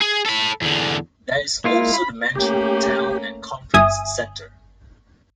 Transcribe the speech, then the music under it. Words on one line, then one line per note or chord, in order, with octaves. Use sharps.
There is also the Mansion Hotel and Conference Centre.
G#4
A4 B5
E2 D3
G#3 A#3 E4 F4
B5
A3 A#3 C#4 G4
G1 E5 G#5 D#6